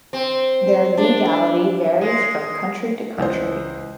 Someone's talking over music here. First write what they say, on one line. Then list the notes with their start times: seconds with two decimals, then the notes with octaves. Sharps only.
Their legality varies from country to country.
0.13 C4
0.97 D4
2.01 G#3
3.18 C#2 E3 C5